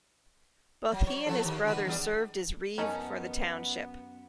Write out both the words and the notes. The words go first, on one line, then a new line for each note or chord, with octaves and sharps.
Both he and his brother served as reeve for the township.
F#3
C#5
F3 E4 A4
D#3 G4
D3 E3 B4
E2 G3 G#4
F#2 B3 C#4 D#4 G5 A5 B5